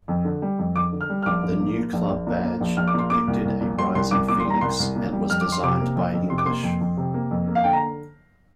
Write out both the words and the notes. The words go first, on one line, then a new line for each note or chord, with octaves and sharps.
The new club badge depicted a rising phoenix and was designed by English.
F2
D3
G3
F2
F2 D6
D3
F6
G3
F6
A#1 D6
A#1
A#2
A#3
A#1
A#1
A#2
A#3
A#1
A#1 F6
D6
A#2 C6
A#3 D6
C2
C2
A#2
G3 C6
C2 C6
C2 D6
A#2 D6
C6
G3
A#5
C2 C6
C2
A#2
G3
F2 F6
D6
F2
C6
C3 D6
A#3
F2
F2
C3 C6
D6
A#3 C6
F2
F2
C3
A#3
F2
A#3
F5
D3 G5
A#5